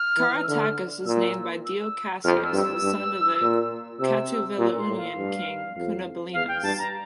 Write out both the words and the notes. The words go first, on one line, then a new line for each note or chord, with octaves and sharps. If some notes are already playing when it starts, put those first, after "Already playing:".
Caratacus is named by Dio Cassius as a son of the Catuvellaunian king Cunobelinus.
Already playing: F6
E3
E6
D3 F6
A#2 E6
E6
F2 F6
E6
G2
E6
G2
A#2
C3 E6
A#2 E6
C6
A2
F5
G2
F2
E2 F5
G5
G2 A5
A#5